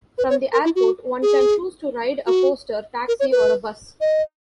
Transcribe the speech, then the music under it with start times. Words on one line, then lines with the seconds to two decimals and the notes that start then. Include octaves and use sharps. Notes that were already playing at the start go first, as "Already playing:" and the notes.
From the airport one can choose to ride a coaster, taxi or a bus.
0.18 B4
0.30 C#5
0.53 A#4
0.65 E4
0.76 F#4
1.22 G#4
2.27 F#4
3.08 A#4
3.20 C#5
3.32 B4
4.01 D#5